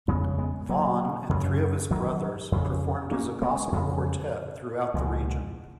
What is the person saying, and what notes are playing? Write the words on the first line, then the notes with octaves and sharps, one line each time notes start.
Vaughan and three of his brothers performed as a gospel quartet throughout the region.
F2 C#3 G#3 B3
G#3 B3
F#3 A#3
F#2 C#3
D#3 F#3
F2 C#3
A#3 C#4
G#3 B3
A#3
F2 C#3 F3 G#3
C#2 B2 F3 G#3